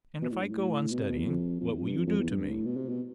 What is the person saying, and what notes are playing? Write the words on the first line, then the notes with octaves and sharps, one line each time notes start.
"And if I go on studying, what will you do to me?"
B2
A2
G2
A2
B2
C3
B2
E2
F2
F2
E2
F2
G2
F2
F2
E2
G2
A2
B2
C3
B2